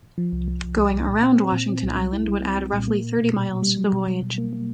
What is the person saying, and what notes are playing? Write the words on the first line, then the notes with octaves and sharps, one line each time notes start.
Going around Washington Island would add roughly thirty miles to the voyage.
F3
C2
F3
C2
C2
C2
A#2
C4
C4
A#2
C4
C2
G3
E4
G3
C4
G3
A#2
A#3
A#3
B2
B2
B2
G3
F#3
B2
B2
B2
A#3
A#3